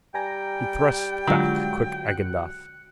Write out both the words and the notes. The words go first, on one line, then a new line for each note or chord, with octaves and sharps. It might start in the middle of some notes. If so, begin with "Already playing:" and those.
He thrust back quick Agendath.
G3 G5 G#5 A#5 A#6
D3 F#3 G#3 F4
F#6 C#7